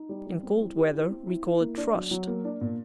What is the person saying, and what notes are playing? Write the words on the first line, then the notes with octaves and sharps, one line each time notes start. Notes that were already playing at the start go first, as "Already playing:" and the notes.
In cold weather we call it frost.
Already playing: D#4
G3
G3
C4
E4
G4
E4
C4
E4
E4
A#3
D4
F#3
F#3
A#3
D4
A#2